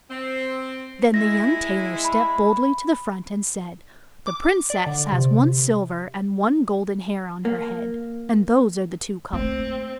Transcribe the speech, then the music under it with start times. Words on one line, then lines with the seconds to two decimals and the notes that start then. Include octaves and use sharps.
Then the young tailor stepped boldly to the front and said, 'The Princess has one silver and one golden hair on her head, and those are the two colours.'
0.10 C4
1.14 G#3 E4 A#6
2.05 B5
4.27 D6
4.70 D5
4.87 D3
5.12 C3
7.45 A#3
9.33 A3 A#3 C4